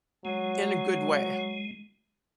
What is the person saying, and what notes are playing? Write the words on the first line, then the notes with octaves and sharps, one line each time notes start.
in a good way,
F#3 G#3